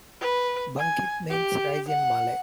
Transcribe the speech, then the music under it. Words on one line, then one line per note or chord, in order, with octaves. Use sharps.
Bangkit means "rise" in Malay.
B4
G#5
G4
F#5